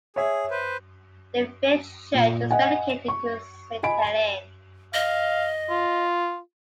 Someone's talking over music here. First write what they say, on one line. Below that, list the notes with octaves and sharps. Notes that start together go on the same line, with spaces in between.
The village church is dedicated to Saint Helen.
G#4 C#5 E5
B4 C5
A#2
D#5 F#5 G#5
C#6
D#5 G#5 B5 D7
D#5 F5
F4